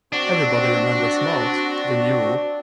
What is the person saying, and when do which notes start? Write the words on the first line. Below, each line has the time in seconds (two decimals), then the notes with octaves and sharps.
Everybody remembers Maud, the mule.
0.13 C4 D4 F#4